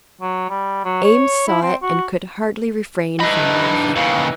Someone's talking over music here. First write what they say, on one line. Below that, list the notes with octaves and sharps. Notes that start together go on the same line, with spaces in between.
Eames saw it, and could hardly refrain from laughing.
F#3
G3
F#3
C#5
E4
C4
F#4
E3 D4 D#4 D#5 B5
D#2 C#3 F5